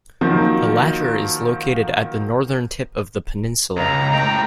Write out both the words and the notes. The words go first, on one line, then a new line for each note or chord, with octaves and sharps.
The latter is located at the northern tip of the peninsula.
D#3 F3 F#3 A#3
C#2 A#5
A2 G5